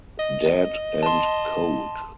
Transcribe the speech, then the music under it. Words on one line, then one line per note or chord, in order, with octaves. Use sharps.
Dead and cold.
D#5
A5 C6